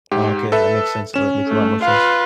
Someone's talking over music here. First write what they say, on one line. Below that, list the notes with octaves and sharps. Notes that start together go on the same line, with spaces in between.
Oh, okay, that makes sense. Oh, that makes a lot more sense.
G#2 G4
A4 B4 E5
C#4 E7
A3
F4 B4 F5